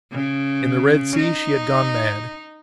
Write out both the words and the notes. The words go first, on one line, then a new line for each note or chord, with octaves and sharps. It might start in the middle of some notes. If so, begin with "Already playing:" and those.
In the Red Sea she had gone mad.
C#3
D#4